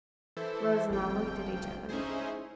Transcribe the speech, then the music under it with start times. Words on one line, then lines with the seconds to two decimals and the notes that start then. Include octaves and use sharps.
Rose and I looked at each other.
0.37 E3 E4 A4 C5
0.90 G1 C2 F3 G5
1.89 C#4 D#4 E4 G#4 C5